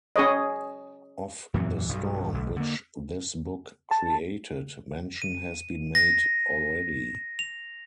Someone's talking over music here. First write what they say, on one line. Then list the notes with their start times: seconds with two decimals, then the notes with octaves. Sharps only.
Of the storm which this book created mention has been made already.
0.16 C#4 G#4 C#5 D#5
1.54 F#2 A#2 E3 F#3
1.89 B1 G2
2.34 B1
2.56 D3 A#3
3.91 A5
5.22 D#7
5.95 A#6
7.39 F7